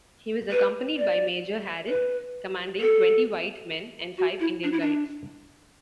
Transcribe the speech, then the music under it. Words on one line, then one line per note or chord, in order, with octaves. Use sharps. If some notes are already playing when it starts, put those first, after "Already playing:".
He was accompanied by Major Harris, commanding twenty white men, and five Indian guides.
B4
D5
B4
A4
F#4
E4
D4
E4
D4